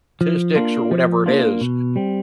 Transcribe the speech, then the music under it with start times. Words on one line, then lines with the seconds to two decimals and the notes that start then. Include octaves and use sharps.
statistics, or whatever it is,
0.21 F3
0.56 A#3 D4 F4
0.91 F3
1.26 A#3 D4 F4
1.61 B2
1.96 G3 C4